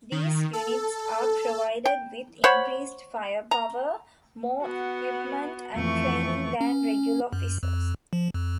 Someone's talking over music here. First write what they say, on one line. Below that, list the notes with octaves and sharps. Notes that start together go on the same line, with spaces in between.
These units are provided with increased firepower, more equipment and training than regular officers.
D#3
A4
G5
C5 C#5 F#5 B5
A#5
B3 F#4
F2 E3 A3 C#6
C#4
F#2
F2
F3
F2